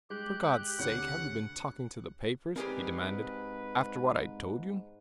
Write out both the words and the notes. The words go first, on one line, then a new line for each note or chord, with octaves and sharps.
"For God's sake, have you been talking to the papers?" he demanded. "After what I told you...."
G#3 G4 F#6 G6
D2 C3 C#5 F#5
G#2 C4 G4 G#4 A#4 B4 D5 G#5